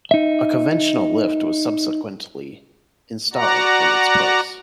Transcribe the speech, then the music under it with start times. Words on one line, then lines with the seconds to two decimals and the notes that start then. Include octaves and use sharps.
A conventional lift was subsequently installed in its place.
0.11 D#4 E5
3.33 F#4 D5 F#5 A#5